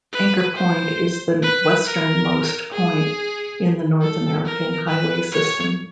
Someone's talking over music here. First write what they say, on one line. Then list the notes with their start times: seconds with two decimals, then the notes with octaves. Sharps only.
Anchor Point is the westernmost point in the North American highway system.
0.12 B4
0.55 C5
1.42 B4
1.86 A#4
2.72 G#4
4.01 A4
4.46 A#4
4.88 B4
5.32 C#5